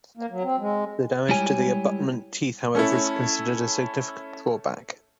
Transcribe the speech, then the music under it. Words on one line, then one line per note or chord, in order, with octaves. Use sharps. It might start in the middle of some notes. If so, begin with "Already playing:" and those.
The damage to the abutment teeth, however, is considered a significant drawback.
A#3
F#3
C4
G#3
G3 G#3 E4 G4 C#5 G#5
A3 C#4 E4 A4 C#5